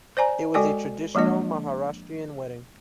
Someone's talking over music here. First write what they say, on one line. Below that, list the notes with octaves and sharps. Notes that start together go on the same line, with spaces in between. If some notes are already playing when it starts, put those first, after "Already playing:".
It was a traditional Maharashtrian wedding.
C5 D5 G#5 A#5
G#3 F#4 A4 D5 G5 G#5
F3 G#3 A#3 D4 D#5